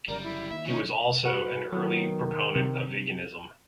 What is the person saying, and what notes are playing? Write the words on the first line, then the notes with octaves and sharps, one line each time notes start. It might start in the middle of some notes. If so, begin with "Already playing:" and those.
He was also an early proponent of veganism.
G1 C#3 F#3 G3 A#4 D5 A#5
E4
D#3 A#3 E5
E3 C#4 D#4
F#4 B4 F#5
D#3 F#3 B3
C3